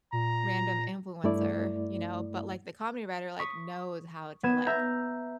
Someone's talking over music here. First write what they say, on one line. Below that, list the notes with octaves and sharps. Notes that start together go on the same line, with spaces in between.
random influencer, you know, but like the comedy writer like, knows how to like,
A#2 A#5
G2 A3 E4 D5
C#6 D#6 B6
B3 G#6 E7
E5 A#5 G6